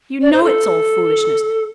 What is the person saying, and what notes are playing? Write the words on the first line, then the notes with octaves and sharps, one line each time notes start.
You know it's all foolishness.
D5
C5
A4